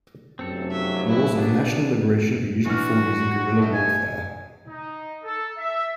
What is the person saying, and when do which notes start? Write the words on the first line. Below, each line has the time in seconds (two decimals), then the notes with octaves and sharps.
Wars of national liberation are usually fought using guerrilla warfare.
0.39 F1 F#2 C4 A4
0.71 F#3 E5
1.06 E4
1.39 A#1 B3 D4
2.66 E3 D4 F#4 F6
3.27 F#5
3.58 B2 A3
3.74 G#5
4.67 D#4
5.23 A4
5.57 E5